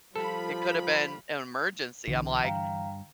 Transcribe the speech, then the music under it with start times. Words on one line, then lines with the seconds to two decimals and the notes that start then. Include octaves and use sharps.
It could have been an emergency," I'm like,
0.16 F3 G3 F4 A4 B5
2.08 B1 D3 E3
2.44 G2 F5 G5 A#5